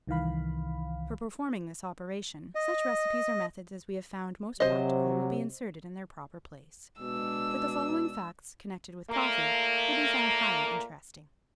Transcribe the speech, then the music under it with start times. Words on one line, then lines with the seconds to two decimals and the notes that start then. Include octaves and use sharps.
For performing this operation, such recipes or methods as we have found most practical will be inserted in their proper place; but the following facts connected with coffee will be found highly interesting.
0.07 C2 D#3 E3 F5 B5
2.55 D#5
4.60 C3 F#3 C5 D#5
7.00 B2 G#3 D4 E6
9.09 A#2 A3 A#3